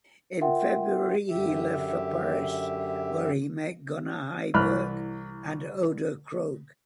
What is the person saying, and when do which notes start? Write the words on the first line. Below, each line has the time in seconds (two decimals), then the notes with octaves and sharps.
In February he left for Paris where he met Gunnar Heiberg and Oda Krohg.
0.41 F4 A#4 E5 F#5 G5 C6
1.30 F#2 D3 G4 E5
4.54 C2 E3 B5 F6 F#6